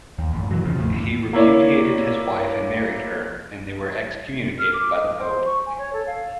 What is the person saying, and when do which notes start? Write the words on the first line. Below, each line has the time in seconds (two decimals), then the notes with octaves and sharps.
He repudiated his wife and married her, and they were excommunicated by the Pope.
0.19 D#2
0.33 A1 F#2
0.51 B2 E3 F#3
0.63 E1 C#3 F3
0.76 G#1 E2 A2
0.95 G1 E2 A2
1.33 A#3 E4 C#5 D5
4.59 F6
4.73 D6
4.91 D#5
5.19 C5
5.46 C#6
5.66 G#5
5.78 C#5
5.93 A4
6.07 F5